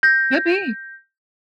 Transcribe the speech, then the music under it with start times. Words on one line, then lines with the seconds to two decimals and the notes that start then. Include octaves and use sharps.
Could be.
0.03 G6 A#6